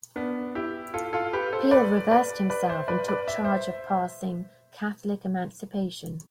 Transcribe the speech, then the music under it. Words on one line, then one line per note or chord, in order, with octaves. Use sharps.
Peel reversed himself and took charge of passing Catholic Emancipation.
B3 D4
E4 G4
F4 A4
F4 A4
G4 B4
A4 C5
B4 D5
B4 D5
B4 D5
C5 E5
B4 D5
B4 D5
E5
C5 E5